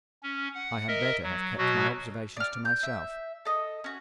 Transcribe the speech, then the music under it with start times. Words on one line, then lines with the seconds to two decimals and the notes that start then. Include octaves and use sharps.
I had better have kept my observations to myself.
0.23 C#4
0.54 F#5
0.88 A#4 D#5 E5
1.23 F#3
1.58 B2 F#3 F#4
2.37 D5 F6
2.65 G6
2.83 E5
3.45 A4 D#5
3.84 C#4 F#4